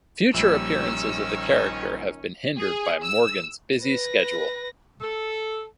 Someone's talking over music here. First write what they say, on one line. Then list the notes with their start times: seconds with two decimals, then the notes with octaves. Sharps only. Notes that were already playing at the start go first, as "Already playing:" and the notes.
Future appearances of the character have been hindered by Morgan's busy schedule.
0.34 A#1 D#3 G3 C#4 E6
2.58 G#4
3.03 E6
3.82 B4 A#6
5.01 A4